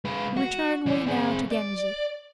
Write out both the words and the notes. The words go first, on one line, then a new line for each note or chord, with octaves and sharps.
Return we now to Genji.
G#3 B4
F#4
E3 D5
C4 G#4
D5